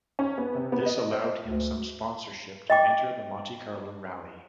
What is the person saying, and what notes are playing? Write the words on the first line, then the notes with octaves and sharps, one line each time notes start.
This allowed him some sponsorship to enter the Monte Carlo Rally.
C#4
B3
C3
B3
D#5
C5
D2
D#5 G5 D6